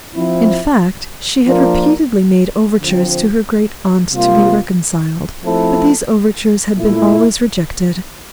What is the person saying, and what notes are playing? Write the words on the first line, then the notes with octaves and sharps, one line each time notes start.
In fact, she had repeatedly made overtures to her great-aunt to be reconciled, but these overtures had been always rejected.
F3 C4 E4
F3 A#3 D4 F4 A#4
D3 F3 C4
C3 G3 A#3 F4
F3 A3 C4 E4 A4
A#2 A3 E4